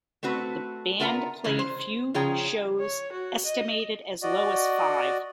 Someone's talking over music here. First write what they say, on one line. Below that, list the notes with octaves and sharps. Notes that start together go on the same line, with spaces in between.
The band played few shows, estimated as low as five.
A3 C4 F#4 B4
B3 F4 A#4 E5 A5 A#5
C#3 E3 G#3 C#4
C5
C#3 F3 G#4 C#5 G5 A#5
C#5
F#4
D#5
F#4 D5 D#5